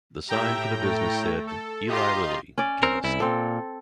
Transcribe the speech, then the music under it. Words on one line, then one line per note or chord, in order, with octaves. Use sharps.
The sign for the business said "Eli Lilly, Chemist".
A2 G4 E5 G5 A#5
A3
A4
F4 G4 D#5 A#5 C6
C#4 D5
C4 A#4
C2 E4
A#2 C4 A4